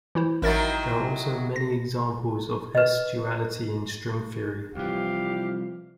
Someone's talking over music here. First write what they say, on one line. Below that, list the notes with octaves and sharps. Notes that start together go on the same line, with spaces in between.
There are also many examples of S-duality in string theory.
E3 E4 C5
A1 D#3 F#3 E4 A#4 A6
A#6
B4 D#5
C2 E3 F3 G4 F5